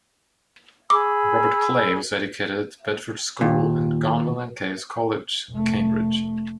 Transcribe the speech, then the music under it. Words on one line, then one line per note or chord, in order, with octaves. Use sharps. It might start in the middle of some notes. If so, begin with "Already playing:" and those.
Robert Clay was educated at Bedford School and Gonville and Caius College, Cambridge.
G#4 B5 D6 E6
D#2 A#2
F1 A3